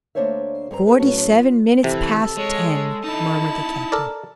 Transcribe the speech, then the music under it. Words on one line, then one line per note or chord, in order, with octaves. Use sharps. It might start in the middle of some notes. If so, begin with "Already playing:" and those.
"Forty-seven minutes past ten!" murmured the captain.
D2 A#3 D4 C5 C#5 E5
G2 C4 A#4 A#5
B3 G#4 B4
A2 F#3 B3 C#4 F#4 A5
F4
C3 E3 A4
G#3 C#5
D#4 E4 A5
A4 A#4 D5